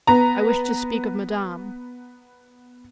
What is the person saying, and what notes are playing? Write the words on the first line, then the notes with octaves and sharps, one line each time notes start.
"I wish to speak of Madame."
B3 A#5